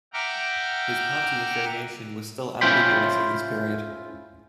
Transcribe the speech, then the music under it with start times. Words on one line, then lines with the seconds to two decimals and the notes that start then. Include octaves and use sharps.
His party affiliation was still ambiguous in this period.
0.13 E5 F#5 G5 A#5 D6 F6
2.61 C#4 E4 F4 C5 G5 B5